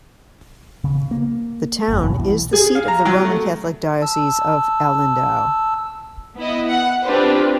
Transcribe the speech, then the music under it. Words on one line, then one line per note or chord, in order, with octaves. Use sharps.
The town is the seat of the Roman Catholic Diocese of Alindao.
C#3
A#3
G1 F2
D2 G2 B2 F#3
B1 E3
G#4
F5
A#5
F#3
A3
A5 E6
B3 E4 D#5
F#5
C4 D4 F4 G4 B4 C5